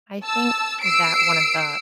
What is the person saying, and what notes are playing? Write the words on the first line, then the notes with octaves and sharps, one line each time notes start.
I think that one of the
A5 E6
E6 C7 D7